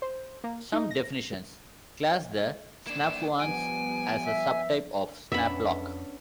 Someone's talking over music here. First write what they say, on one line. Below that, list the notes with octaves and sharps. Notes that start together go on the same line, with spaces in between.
Some definitions class the snaphaunce as a sub-type of snaplock.
C5
A#3
D#4
A#6
A#3 D4 E7
F3 G3 B3 G#5 D7
E5
F2 B3 C#4 D4 E5 B5